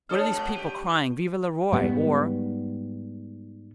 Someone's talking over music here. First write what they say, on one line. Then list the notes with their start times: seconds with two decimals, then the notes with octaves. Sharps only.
What are these people crying 'Vive le Roi!' for?
0.09 D4 G#4 A4 C#5 D#6 F6
0.32 G#3 F#4
0.56 G2 G4 D#7
1.73 G#2 G3 B3